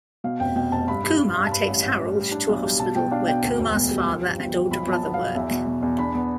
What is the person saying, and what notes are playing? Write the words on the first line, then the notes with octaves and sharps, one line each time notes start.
Kumar takes Harold to a hospital where Kumar's father and older brother work.
B2 F5
F1 G5
B2 G5
F1 A5
G2 B5
G2
G2
G2
A5
G2 B5
A1
A1
A1
G3
D4
B1
G3
B2 A5
B2 G5
D4 F5
B2 G5
D2
E1
E1
G3
F3
G2
G1
F3
B1 B5
B1
A5
B3
F5
B1
E2 E5
B2
B2
E2
D4 B5
B3